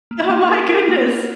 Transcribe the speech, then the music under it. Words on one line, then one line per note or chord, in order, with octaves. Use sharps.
oh my goodness.
A#3
A#3
A#4
A#4
A#3
A#4